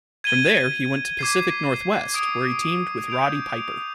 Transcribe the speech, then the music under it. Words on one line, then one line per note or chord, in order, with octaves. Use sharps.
From there he went to Pacific Northwest where he teamed with Roddy Piper.
G#6 D#7 G7
D6 G#6 C7
D#6 G#6 D7
G6 D7 F7